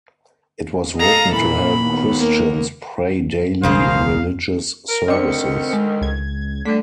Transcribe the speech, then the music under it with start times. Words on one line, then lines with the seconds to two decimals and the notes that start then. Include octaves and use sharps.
It was written to help Christians pray daily religious services.
0.99 A4 D#5 F5 A#5
1.34 A#2 E3 B5
1.80 D#2 B3
2.19 A#3
3.63 E1 C#2 C#3 A#3 G#4 C5 F5
4.89 A#4
5.08 D2 D#3 C4 D4 D5 D#5 C#7
5.73 G#3
6.01 C#2 G#6
6.66 D3 G3 A3 B6